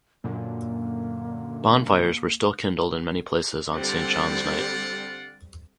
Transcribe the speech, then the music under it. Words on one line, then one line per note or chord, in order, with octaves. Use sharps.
Bonfires were still kindled in many places on St. John's Night.
F#2 A#2 D3 A#3
D3 G3 C4 F4 D5 F#5